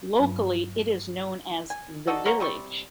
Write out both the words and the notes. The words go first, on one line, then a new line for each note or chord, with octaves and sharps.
Locally, it is known as 'The Village'.
G2 F#3
G#5
D4 D#4 F#4 A4
A#4 C#5 F#5 A#5
C3 G3 C#6